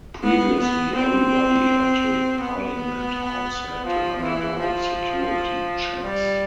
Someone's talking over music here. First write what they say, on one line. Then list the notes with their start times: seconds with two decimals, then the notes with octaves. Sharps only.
Previously, everybody entering Parliament House had to undergo security checks.
0.23 B3
0.59 B3
0.95 C4
2.41 B3
3.86 F3
4.22 E3
4.59 F3
6.04 G3